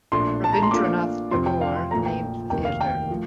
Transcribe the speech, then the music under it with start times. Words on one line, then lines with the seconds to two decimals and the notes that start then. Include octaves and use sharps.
Rabindranath Tagore named the theatre.
0.12 A#1 A2 A3 D4 C6
0.44 A5
0.52 A#5
0.63 C6
0.71 A#2 A3 D4 F4 D6
1.31 F2 C3 F3 C4 F4 C6
1.46 G5
1.61 F5
1.76 C6
1.91 A#1 A#2 F3 A3 A#5
2.06 G5
2.50 F1 D#2 D#3 G5
2.65 F5
2.81 G5
3.10 A2 F3